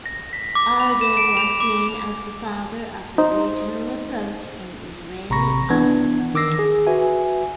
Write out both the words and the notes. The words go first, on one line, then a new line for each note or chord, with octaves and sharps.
Ardon was seen as the father of the regional approach in Israeli art.
A#6
B6
D6
B5
E7
D7
F7
D6
D#4 C5
A1 C3 A#5 B5 C#6 A#6
E3 B3 D4 G#6
D#3 D6 E6 A#6 C7
G#4
F#4 B4 E5 G#5